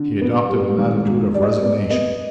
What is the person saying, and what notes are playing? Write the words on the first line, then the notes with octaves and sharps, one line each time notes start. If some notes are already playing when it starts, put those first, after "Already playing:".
He adopted an attitude of resignation.
Already playing: D3
B3
G3
G#1
G#2
G3 D5
D#5
D5
B3 D5
B3 D#5